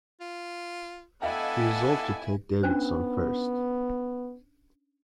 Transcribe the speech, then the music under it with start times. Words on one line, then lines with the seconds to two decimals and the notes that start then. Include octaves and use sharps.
He resolved to take Davidson first.
0.21 F4
1.22 B3 D4 E4 A4 D#5 F5 G5 G#5
2.63 B3 C#4 D4 C5